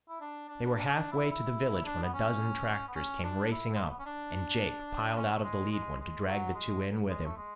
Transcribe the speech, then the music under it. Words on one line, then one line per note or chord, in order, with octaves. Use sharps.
They were halfway to the village when a dozen tractors came racing up and Jake piled out of the lead one to drag the two in with him.
E4
D4
D4
D4
C#4
D4
E4
E4
D4
B3
C#4
B3
C#4
D4
E4
G#3
A3
B3
C#4
D4
C#4
A3
G#3
G#3
G#3
F#3
G#3
G#3
A3
G#3